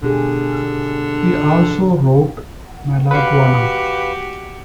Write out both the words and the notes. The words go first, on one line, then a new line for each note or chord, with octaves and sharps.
He also wrote Malaguena.
B2 D3 G4 G#4
F#4 G4 B4 F5